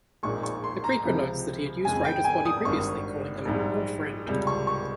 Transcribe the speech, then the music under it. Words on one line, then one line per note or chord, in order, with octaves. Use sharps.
The Creeper notes that he had used Ryder's body previously, calling him "old friend".
A#1 A#2 G#3 D#4 C#6
C#6
C6
A#5
C#2 C3 F3 C4
F2 C#3 G#3 G#5
G5
G#5
D#6
G#1 G2 D#3 C#6
A#1 G#2 G3
C#2 C3 G3
C#6
C#6